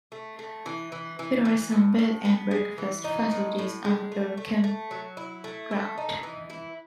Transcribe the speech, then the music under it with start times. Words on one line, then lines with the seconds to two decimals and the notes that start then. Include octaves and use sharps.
There are some Bed and Breakfast facilities and a campground.
0.12 A3
0.39 A3
0.66 E3
0.92 E3
1.19 E3
1.45 E3
1.72 A2
1.99 A2
2.25 B3
2.51 G#3
2.78 E3
3.04 D#4
3.31 A2
3.59 A2
3.85 G#3
4.12 A3
4.37 A3
4.64 A3
4.91 F#3
5.17 E4
5.44 A3
5.71 A4
5.98 D#4
6.23 E3
6.50 E4